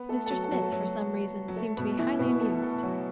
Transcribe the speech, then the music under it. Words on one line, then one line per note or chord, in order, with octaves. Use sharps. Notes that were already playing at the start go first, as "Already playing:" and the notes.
Mr. Smith, for some reason, seemed to be highly amused.
Already playing: B3 B4
A3 A4
A4
F#3 F#4
A4
F#3 F#4
A3
F#3
F#3
A3
B2 B3
E3 E4
B2 B3
A3 A4
A3 A4
F#3 F#4